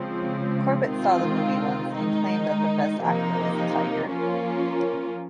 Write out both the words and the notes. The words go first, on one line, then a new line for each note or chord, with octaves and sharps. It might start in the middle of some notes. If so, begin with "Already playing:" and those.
Corbett saw the movie once and claimed that the best actor was the tiger.
Already playing: C#3 F3 G#3 C4
C3 D#3 G#3 C4 F4
D#3 G#3 D#4
C3 F3 A#3 D#4
F3 A#3 C#4 F4